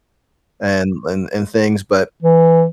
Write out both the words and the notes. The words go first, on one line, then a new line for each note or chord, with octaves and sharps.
and and and things, but
E3